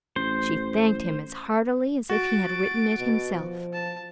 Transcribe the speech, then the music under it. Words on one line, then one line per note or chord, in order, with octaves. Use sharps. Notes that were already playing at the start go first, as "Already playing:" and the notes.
She thanked him as heartily as if he had written it himself.
A1 C5
F#4 A6 D7
B2
F3
A5